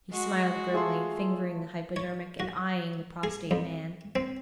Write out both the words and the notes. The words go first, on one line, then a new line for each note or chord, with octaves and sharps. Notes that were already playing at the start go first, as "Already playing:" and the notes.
He smiled grimly, fingering the hypodermic and eyeing the prostrate man.
G#3 F#4
A3 F4 G#4 E5 C6
C#5
F#4
G#4
F2
C4